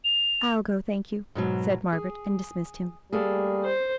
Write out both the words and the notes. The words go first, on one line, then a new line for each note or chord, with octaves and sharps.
"I'll go, thank you," said Margaret, and dismissed him.
F7
G#2 B2 F#3
G#4
G3 A3 A#3 G#4
C5